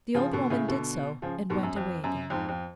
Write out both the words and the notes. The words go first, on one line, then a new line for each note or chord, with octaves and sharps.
The old woman did so and went away again.
C#3 F3
B2 D3
A2 C#3
B2 D3
C#3 F3
G#2 B2
F#2
F2
F#2
F2 G#2
F2